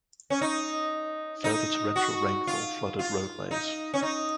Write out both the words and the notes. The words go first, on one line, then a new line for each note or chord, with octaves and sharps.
Further torrential rainfall flooded roadways.
C#4
D#4
D#4
F#4
F4
F4
D#4
C#4
D#4